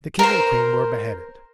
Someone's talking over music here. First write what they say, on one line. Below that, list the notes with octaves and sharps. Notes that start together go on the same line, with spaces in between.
The king and queen were beheaded.
A#4 C5